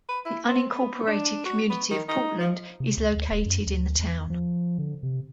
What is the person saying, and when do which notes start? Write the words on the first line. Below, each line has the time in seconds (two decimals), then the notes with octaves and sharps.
The unincorporated community of Portland is located in the town.
0.09 B4
0.26 E4
0.48 C4
0.70 B3
1.07 D4
1.45 F#4
1.70 B3
1.91 D#3
2.09 D#4
2.40 F3
2.80 C3
2.97 C#2
3.17 D2
3.30 D#1
3.46 F#2
3.67 D2
3.99 E2
4.30 F3
4.79 D3
5.03 C3